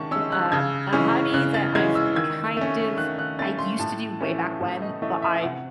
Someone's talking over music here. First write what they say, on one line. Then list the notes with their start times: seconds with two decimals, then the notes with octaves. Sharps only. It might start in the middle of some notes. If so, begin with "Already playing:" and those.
um, a hobby that I've, kind of, I used to do way back when, but I
Already playing: D#3 G#3 C#4 A5 C#6
0.11 G#3 C#4 E6
0.32 F#6
0.52 C#3 G#6
0.93 E3 G#3 C#4
1.33 C#3 F#6
1.54 A6
1.75 E3 G#3 C#4 G#6
1.95 E6
2.15 D#3 G#6
2.57 A3 C#4
2.98 D#3 F#6
3.19 F#6
3.39 A3 C#4 A6
3.58 C6
3.79 A2 A5
4.20 E3 A3 C#4
4.61 A2
4.82 D#5
5.02 E3 A3 C#4 D#5
5.22 E5
5.43 C3 F#5